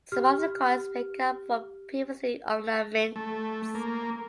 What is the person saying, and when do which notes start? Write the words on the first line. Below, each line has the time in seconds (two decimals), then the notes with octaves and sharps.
Some of the coins may come from previously unknown mints.
0.12 G4 F6
3.16 A3
3.74 A#3